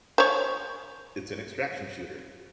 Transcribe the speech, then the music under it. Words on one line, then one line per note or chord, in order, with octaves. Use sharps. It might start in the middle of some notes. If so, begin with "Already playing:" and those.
it's an extraction shooter.
C5 C#5